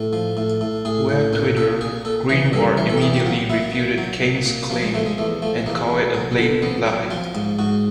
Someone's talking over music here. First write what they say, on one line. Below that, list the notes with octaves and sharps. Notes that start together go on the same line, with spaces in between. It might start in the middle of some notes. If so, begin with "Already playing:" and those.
Via Twitter, Greenwald immediately refuted King's claim and called it a "blatant lie".
Already playing: A2
F3
A2
A2
A2 G#4
A2
A#2 A#4
A#2 A4
A#2 G#4
A#2 A4
E3 G#4
G2 A4
E3 A#4
A4
G4
E3 G#4
G4
F#3 F4
A#2 E4
A#2
F#3
A#2
A#2
F3 A#3
G#3
F3 A3
G#3
E2 A3
F3 A3
E2 A#3
E2
F#3
D3
F2 B3
F#3
F3 F4
G#2
G#2 F#4